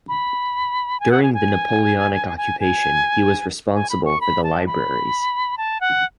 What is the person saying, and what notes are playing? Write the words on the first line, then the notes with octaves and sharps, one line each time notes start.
During the Napoleonic occupation he was responsible for the libraries.
B5
G#5
F#5
G#5
G#5
G#5
G#5
G#5
B5
C#6
B5
A5
B5
A5
F#5